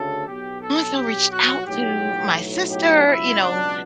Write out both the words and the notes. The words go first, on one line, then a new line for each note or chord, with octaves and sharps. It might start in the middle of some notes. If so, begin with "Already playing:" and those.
“must have reached out to my sister,” you know,
Already playing: D2 C#3 A4
B1 B2 F#3 G4
A4
G4
F#4
B1 A2 F#3 G4
G4
C#2 B2 F#3 E4
D4